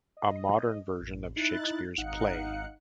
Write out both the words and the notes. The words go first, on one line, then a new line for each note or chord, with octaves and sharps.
A modern version of Shakespeare's play.
D#5
A1
D#4 E4 F#6 A6
G#1 D#4 F5 F#5 F#6 C#7